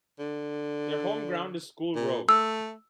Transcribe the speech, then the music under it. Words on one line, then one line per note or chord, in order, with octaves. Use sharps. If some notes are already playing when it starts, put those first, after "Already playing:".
Their home ground is School Road.
D3
A#2
A3 E6